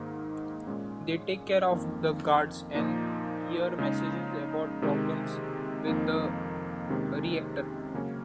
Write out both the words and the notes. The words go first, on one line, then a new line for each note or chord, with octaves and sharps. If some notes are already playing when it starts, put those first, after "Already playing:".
They take care of the guards, and hear messages about problems with the reactor.
Already playing: G#2 D#3 A#3 D#4
A#2 G#3 C#4
F2 D#3 A#3
A#2 F3 A#3 D#4
C#3 G#3 D#4
C3 D#3 G#3
F2 D#3 A#3 D#4
C3 D#3 G#3 C#4
C#3 F#3 A#3 C#4